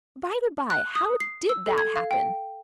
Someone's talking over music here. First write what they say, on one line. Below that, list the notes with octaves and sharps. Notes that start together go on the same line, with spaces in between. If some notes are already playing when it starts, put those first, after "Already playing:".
By the by, how did that happen?
F#6
D#6
C7
E6
A4
G#6
F5
G5